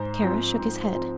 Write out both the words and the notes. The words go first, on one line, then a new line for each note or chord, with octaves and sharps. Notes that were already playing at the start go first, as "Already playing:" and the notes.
Kara shook his head.
Already playing: G#2 C5
F3 C4
G#2
F3 C4